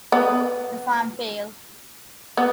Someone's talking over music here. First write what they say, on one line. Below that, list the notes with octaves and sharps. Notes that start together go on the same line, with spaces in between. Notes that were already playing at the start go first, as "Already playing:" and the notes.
The farm failed.
B3
B3